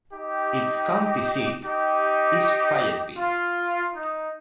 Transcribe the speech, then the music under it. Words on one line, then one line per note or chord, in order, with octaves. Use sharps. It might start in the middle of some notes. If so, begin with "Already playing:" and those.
Its county seat is Fayetteville.
D#4 G4
D#4 G4
F4
D#4